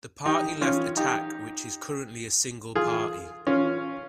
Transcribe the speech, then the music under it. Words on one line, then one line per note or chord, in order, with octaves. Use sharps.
The party left Attack which is currently a single party.
D#4 G4
C#4 F4
D#4 G4
F4 G#4
C#4 F4